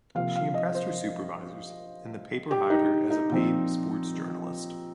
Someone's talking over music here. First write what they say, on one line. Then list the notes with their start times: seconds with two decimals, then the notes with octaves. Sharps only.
She impressed her supervisors, and the paper hired her as a paid sports journalist.
0.15 C3 F3 A#3 F5
0.36 F5
0.54 D#5
0.75 C5
2.51 G4
2.70 D#4
3.10 D#4
3.29 A#2 F3 C4